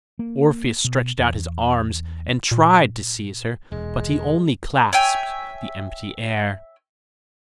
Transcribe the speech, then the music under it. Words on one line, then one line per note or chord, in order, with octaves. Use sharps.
Orpheus stretched out his arms and tried to seize her, but he only clasped the empty air.
A#3
B2
E2
A#2
E1 G#3
C#5 E5 G5 G#5